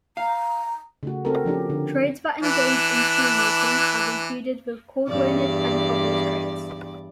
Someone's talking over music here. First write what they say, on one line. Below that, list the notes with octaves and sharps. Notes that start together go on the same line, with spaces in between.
Trades that engage in shoemaking have included the cordwainer's and cobbler's trades.
F5 A#5
C#3 A3 F#4
C4 F#4 A4 A#4
F3 C#4 D4 G4
D3
E3 D4
E2 G2 D5